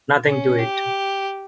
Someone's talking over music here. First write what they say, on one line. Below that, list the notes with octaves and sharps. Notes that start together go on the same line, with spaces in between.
Nothing to it.
C#4
G4